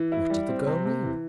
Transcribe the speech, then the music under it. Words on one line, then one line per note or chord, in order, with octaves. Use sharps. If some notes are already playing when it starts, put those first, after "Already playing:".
What did the girl mean?
Already playing: E3
E4
G3
C4
C3
C3
E3